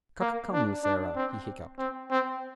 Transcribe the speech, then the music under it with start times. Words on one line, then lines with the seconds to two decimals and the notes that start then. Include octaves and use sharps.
"Cuc-come, Sarah," he hiccuped.
0.20 A#3
0.53 D4
0.84 D4
1.16 C4
1.78 C4
2.11 C4